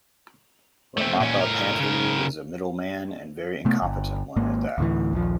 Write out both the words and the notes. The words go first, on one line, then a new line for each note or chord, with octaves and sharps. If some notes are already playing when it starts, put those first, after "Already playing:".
Ramappa Panthulu is a middle man and very incompetent one at that.
A3 C4
A#2 C#4
A2 A#4
C#3 A#4
C3 A3 B3
G1
G#1 G#2 A#3
D2 A2 E3
A#1 D#2 F3